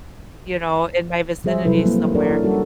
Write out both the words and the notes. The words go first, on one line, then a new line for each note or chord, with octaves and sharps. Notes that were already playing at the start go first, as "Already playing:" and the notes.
you know, in my vicinity somewhere,
F3 G3 G#4 C5 E5
C3 F#3 E4 A4 B4
G3 A#3
D4 F#4 A4 A#4 C#5 D5
E4
G3 C#4 F#4 A4 A#4